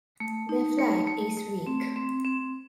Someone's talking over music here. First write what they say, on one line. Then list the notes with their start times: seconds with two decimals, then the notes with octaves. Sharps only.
Their flight is weak.
0.20 A3
0.49 D#4
0.78 A3
1.07 A3
1.37 A3
1.67 C4
1.96 C4
2.25 C4